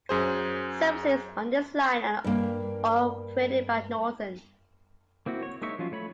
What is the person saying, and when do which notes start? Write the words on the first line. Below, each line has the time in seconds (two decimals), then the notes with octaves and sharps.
Services on this line are operated by Northern.
0.09 F#2 G#4 C5
2.24 G2 A#3
5.26 A#3 C4 E4 F#4
5.43 C#5
5.62 G#3 A#3 D#4 E5 C#6
5.79 F3 F#3 C#4 F4
5.92 A3 C#5 B5